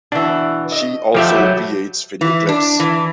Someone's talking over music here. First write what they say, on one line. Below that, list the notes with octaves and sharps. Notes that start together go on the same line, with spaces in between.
She also creates video clips.
B2 E3 D4
D#5
B2 F3 G3 A3 G4 E5
F#3
E3
D4
E3